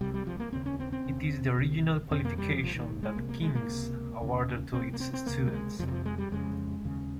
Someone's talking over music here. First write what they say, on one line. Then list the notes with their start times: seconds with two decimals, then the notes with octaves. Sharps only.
It is the original qualification that King's awarded to its students.
0.01 C2 C3 G3
0.14 G3
0.27 F3
0.40 A#3
0.53 D#2 C#3 C4
0.66 C#4
0.80 C4
0.92 C4
1.06 D#2 C#3
1.58 C2 C3
2.11 F2 C3 C4
2.25 A#3
2.38 G3
2.51 F3
2.63 C2 A#2 F3
2.76 D#3
3.03 G#3
3.16 C2 C3 A#3
3.29 A#3
3.42 G#3
3.55 A#3
3.69 C#2 C3
4.22 D#2 C#3
4.74 C2 C3 C4
4.93 A#3
5.00 C4
5.13 C4
5.26 C#2 C3 A#3
5.46 G3
5.53 G#3
5.79 F2 C3 F3
5.88 G3
5.92 F3
6.06 G#3
6.18 G3
6.32 F2 C#3 G#3
6.85 D#2 C#3